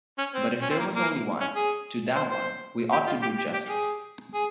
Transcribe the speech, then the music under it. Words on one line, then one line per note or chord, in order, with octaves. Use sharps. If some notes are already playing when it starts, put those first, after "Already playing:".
But if there was only one-- to that one, we ought to do justice.
C#4
C4
C#4
C4
A#3
A#3
C#4
G#4
C5
C5
G4
F4
G4
G4
G4
G#4
G#4